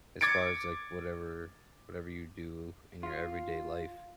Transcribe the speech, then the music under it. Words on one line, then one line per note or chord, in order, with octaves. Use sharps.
as far as, like, whatever whatever you do in your everyday life.
D6 G#6 A6 C#7 D7
F4